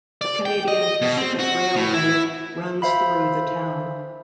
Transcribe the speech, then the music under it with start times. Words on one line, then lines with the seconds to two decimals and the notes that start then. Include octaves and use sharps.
The Canadian Pacific Railway runs through the town.
0.21 D5
0.46 G5
0.68 D#5
1.02 B2
1.17 C4
1.40 F#4
1.76 A2
1.94 E4
2.82 C5 E5 F5 B5